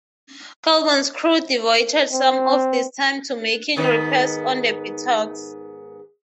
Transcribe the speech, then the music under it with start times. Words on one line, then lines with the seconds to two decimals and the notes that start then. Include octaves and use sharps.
Colburn's crew devoted some of this time to making repairs on the bateaux.
2.12 C4
3.76 G#2 D#3 B3